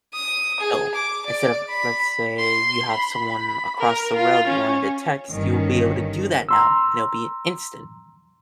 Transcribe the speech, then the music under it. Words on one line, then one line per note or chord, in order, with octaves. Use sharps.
So, instead of, let's say you have someone across the world you wanted to text, you'll be able to do that now and it'll be instant.
D#6
G#4
D6
D5
B5
C6
B5
A#4
F4
C#4
G1 G2 D#3 C#4
A#5 C6 E6